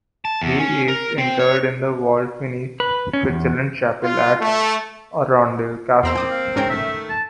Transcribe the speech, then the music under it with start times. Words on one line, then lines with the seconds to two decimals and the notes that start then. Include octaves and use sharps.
He is interred in the vault beneath the Fitzalan Chapel at Arundel Castle.
0.25 A5
0.42 E2
0.59 C#4
0.88 A#4
1.18 C4
1.39 C#5
2.80 B4
3.13 C#4
3.29 E2
4.04 F4
4.42 A3
6.03 E2 A#3 C4 A#5 C6 E6
6.15 G5 D6 D#6
6.31 F5
6.56 G#2 D#3 C4 C#4 A#4 G5
6.70 D#3 A3 E5
7.10 A5